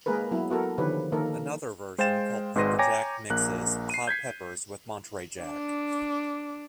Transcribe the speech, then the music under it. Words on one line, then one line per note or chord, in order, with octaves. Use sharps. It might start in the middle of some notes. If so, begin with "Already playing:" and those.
Another version called pepper jack mixes hot peppers with Monterey Jack.
G#3 A#3 G#4 A#4 B4
F#3 B3 E4
B3 F#4 A4 A#4
D3 D#3 F3 G4 B4 C#5
D#3 A#3 A4 A#4
G#3 C5 F5 G5 A6 E7
G#1 G#2 B4 C6 A#6 D#7
C#5 G5 G#5 A#5 D6 A#6
A#1 A#3 F#6
C7 D#7
G6 G#6 B6 C7
D4